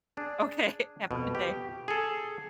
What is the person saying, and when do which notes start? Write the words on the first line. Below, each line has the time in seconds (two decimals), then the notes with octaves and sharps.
Okay. Have a good day.
0.17 D4 G#4
1.11 F2 B2
1.35 G4
1.88 G#4 A4